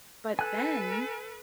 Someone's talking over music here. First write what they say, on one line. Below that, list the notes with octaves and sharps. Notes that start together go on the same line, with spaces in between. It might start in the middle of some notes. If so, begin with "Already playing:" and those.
But then,
A4 B4 G#5 F#6